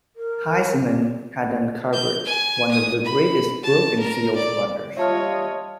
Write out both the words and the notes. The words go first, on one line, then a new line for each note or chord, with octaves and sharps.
Heisman had uncovered one of the greatest broken-field runners.
A#4
G6
G#5
D#6
B5
A5
A#4
D5
G3 F4 C#5 D#5 E5 A5 F6